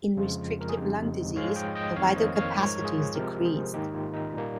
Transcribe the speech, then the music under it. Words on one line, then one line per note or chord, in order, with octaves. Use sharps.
In restrictive lung disease the vital capacity is decreased.
F2 C#3 F3 G#3 F4
A#4
G#4
F2 C#3 G#3 D#4 G4
G#2 F3 G#3 C#5 F5
D#5 G5
D#5 G5
F2 D#3 A#3 C#5 F5
C5 D#5
C#5 F5
G#2 F3 G#3 A#4 C#5
F4 G#4
C3 F3 G#3 G4 A#4
G#4 C5
G#2 D#3 A#3 D#4 G4
F4
D#4
A#2 G3 A#3